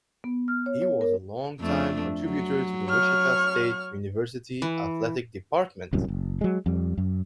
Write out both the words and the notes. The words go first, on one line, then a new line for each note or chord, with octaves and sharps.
He was a longtime contributor to the Wichita State University athletic department.
B3
F6
C#5
C#5
A#4
F2 A3 D4
F#3
C#5 F6
E3
D1 C2 F#2
F#1
F#3 G#3
F2 G3
F#2